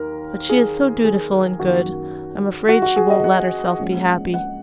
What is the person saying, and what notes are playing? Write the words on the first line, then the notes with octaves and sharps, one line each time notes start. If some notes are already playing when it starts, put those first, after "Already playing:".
But she is so dutiful and good, I'm afraid she won't let herself be happy.
Already playing: D#2 D#3 A#3 A#4
G#4
G#4
F#2 D#3 A#3 F#4
F#4
F#4
G#4
D#5
F#5
A#1 A#2 G#3 C#4
F#5